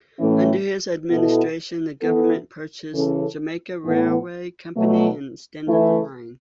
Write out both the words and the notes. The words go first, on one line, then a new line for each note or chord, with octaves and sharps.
Under his administration, the government purchased Jamaica Railway Company and extended the line.
A2 E3 A3 C#4 E4
B2 B3 E4 A4
E3 B3 E4 A4
C#3 E3 C#4 A4
A2 E3 B3
B2 F#3 A3
E3 A3 E4